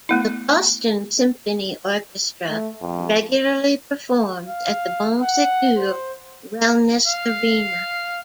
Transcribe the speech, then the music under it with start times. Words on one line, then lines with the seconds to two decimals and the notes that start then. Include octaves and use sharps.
The Boston Symphony Orchestra regularly performs at the Bon Secours Wellness Arena.
0.09 A3 B3 E4
2.50 A3
2.81 F2
4.47 F5
5.22 F#5
5.78 C5
7.08 F5